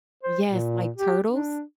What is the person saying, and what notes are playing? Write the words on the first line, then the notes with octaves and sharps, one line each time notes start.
Yes, like Turtles?
C5
A#2
G4
D4